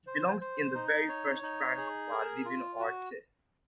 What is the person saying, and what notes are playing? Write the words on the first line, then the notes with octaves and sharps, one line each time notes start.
He belongs in the very first rank of our living artists.
C5
C5
D#4
C#5
D#4
G#4
A#4
F4
F#4